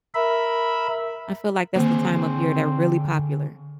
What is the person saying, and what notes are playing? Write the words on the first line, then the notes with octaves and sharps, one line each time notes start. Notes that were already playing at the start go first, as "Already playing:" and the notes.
I feel like that's the time of year they're really popular.
A#4 E5 B5
D3 D#3 A#3 C4 G#4